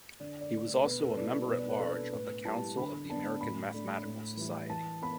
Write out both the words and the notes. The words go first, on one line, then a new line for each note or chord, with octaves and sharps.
He was also a Member-at-Large of the Council of the American Mathematical Society.
D3 D5
D5
A3 D4
A4
B2 B4
A4
B4
G3 E4 D5
B2 B4
D5
B4
B3 D4 A4
A2 B4
G3 E4 A5
D3 B5
B3 D4 A5
A2 B5
A3 D4
A2
E3 G3 E4
E3 A5
B3 B5